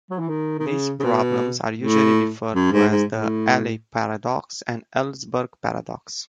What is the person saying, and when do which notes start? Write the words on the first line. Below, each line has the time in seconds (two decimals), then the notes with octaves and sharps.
These problems are usually referred to as the Allais paradox and Ellsberg paradox.
0.11 F#3
0.19 E3
0.29 D#3
0.59 D#3
0.66 C#3
1.00 C#3
1.04 B2
1.79 A2
2.54 F#2
2.72 G#2
2.91 G#2
3.10 A2